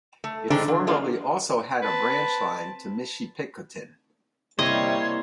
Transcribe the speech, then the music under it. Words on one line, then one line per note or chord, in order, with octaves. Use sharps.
It formerly also had a branch line to Michipicoten.
A3
A2 D#3 G#3 C4 D4 A4
F3
F3 F#3 G#3 A#3 D4 F4
C4 B4 A5
C3 G3 A#3 E4 C5 C#5 D#5 C6